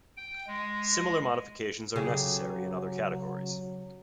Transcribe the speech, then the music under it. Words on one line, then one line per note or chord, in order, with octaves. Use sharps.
Similar modifications are necessary in other categories.
G5
G#3
C#3 F#3 G4 G#4